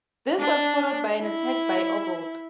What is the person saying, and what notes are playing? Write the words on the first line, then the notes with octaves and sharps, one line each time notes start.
This was followed by an attack by Oblt.
D4
E4